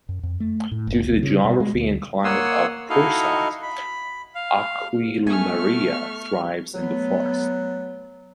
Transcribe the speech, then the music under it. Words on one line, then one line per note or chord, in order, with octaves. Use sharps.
Due to the geography and climate of Pursat, "Aquilaria" thrives in the forest.
F#2
F2
A3
A2
F#1
C#2
C#3
B2
G#3
D2
A#3 C#5 F#5 C6 D#6 E6
D#4 E4 F#4 A4 D#5 F5
B5
F5
A3 B3 G#5 C#6 F6
F#3 A3 B3